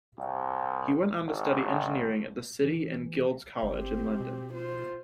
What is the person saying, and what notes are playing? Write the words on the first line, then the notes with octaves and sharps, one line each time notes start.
He went on to study engineering at The City and Guilds College in London.
C2
G#1
E3
G1 C4 G4
B2
F4 C5